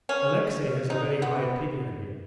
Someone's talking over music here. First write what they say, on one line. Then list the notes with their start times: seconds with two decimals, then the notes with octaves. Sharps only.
Alexey has a very high opinion of him.
0.09 C#4
0.90 D#4
1.22 B3